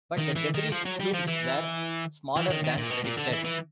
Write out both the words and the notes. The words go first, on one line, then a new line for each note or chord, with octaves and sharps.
But the debris plumes were smaller than predicted.
D#3
E3
D#3
F3
F#3
G3
F3
E3
E3
D#3
D#3
A#2
B2
A#2
D3
E3
E3